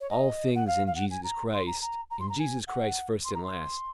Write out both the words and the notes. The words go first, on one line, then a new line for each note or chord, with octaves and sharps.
All things in Jesus Christ--in Jesus Christ, first and last.
C#5
D#5
F#5
F5
F5
F#5
G#5
A#5
C6
A#5
A#5
A#5
C6
A#5
G#5
F#5
C6
A#5
C6